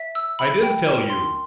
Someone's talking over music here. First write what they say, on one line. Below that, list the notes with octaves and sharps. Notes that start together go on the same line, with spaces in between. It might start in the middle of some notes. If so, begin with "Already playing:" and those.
I did tell you.
Already playing: E5
E6
B5
G5
A#4
C6